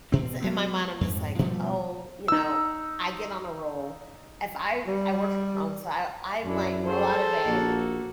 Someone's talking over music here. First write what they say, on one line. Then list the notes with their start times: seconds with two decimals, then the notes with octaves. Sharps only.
'cause in my mind, I'm, just, like, "Oh, you know." I get on a roll. If I I work on the side, I I might roll out of bed
0.12 B2 C4
0.40 F#3 G#3 B3 C4
1.01 F2 G#2
1.39 B2 F3 G3 A3
2.28 D#4 E6
4.87 G3
6.44 F#2 D4 E4
6.86 G#4 A4 C5
7.47 A#1 A#3 F#4